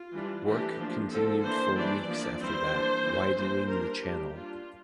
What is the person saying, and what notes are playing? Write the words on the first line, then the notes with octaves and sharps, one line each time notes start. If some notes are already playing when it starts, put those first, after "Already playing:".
Work continued for weeks after that, widening the channel.
Already playing: F4
E3 G3 D4
E3 A3 D4 G4
F3 A#3 D4
D3 F3 C4 A4
E3 A#3 D4 C5
E3 G3 D4 D5
F3 A#3 D4
E3 G3 C4 C5
E3 A#3 D4
E3 G3 C4
E3 G3 A#3 D4 C5
G3 D4 A#4
G3 A#3 D4 G4
G3 D4 F4